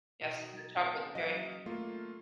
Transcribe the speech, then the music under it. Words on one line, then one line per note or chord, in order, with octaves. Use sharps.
Yes, the chocolate cherry.
B2 D#4
C#3 A#3 F#5
F#3 D#5 F5
A3 A#3 F4